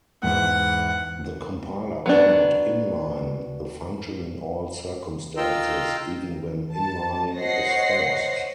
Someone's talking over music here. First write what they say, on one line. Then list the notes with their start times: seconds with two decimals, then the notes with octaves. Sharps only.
The compiler cannot inline the function in all circumstances, even when inlining is forced.
0.23 E2 G#2 F#5
2.06 F#3 B3 D4
5.37 F4 D#5 G5 A#5 C6 E6
6.72 A5
7.36 C5 C#5 D#5 F#5 A#6 C7